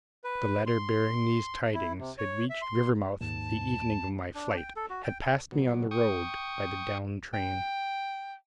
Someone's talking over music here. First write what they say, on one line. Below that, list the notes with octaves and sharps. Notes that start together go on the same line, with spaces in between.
The letter bearing these tidings had reached Rivermouth the evening of my flight--had passed me on the road by the down train.
B4
C6
E4
C3
C#5
E5
C6
D#2 G#2 A5
D4
G5
A4
F#4
G5
B2 F#3
G5 C#6 D#6
G5